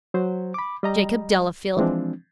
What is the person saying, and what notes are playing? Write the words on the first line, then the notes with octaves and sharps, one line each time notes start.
Jacob Delafield?
F#3 C5
B5 D6
G3 D#5 A#5
E3 F3 G#3 C4 D4